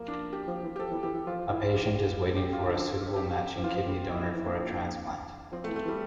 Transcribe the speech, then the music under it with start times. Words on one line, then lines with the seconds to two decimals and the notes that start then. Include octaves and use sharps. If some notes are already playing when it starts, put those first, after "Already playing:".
A patient is waiting for a suitable matching kidney donor for a transplant.
Already playing: F3 A#3
0.08 D4
0.33 G4
0.47 F3
0.63 E3
0.76 G4
0.79 F3 A4
0.92 E3
1.03 E3 G4
1.15 E3
1.27 F3 F4
1.51 E3 E4
1.74 F3 G4
2.21 A4
2.37 G4
2.53 F4
2.69 D3 A4
3.16 G4
3.56 F3
3.63 E3 F4
3.75 F3
3.87 A2
4.11 F2 E4
4.22 F2 E4
4.34 E3 E4
4.46 A#2 D4
5.52 F3 C4
5.64 A3
5.68 E3
5.76 A3
5.85 E3
5.88 G3